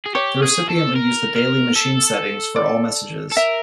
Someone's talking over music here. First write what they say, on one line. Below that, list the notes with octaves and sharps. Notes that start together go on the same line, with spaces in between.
The recipient would use the daily machine settings for all messages.
G#4
G4 C#5
G#4
A4
A#4
A#4
A4
D5
A4
A#4 E5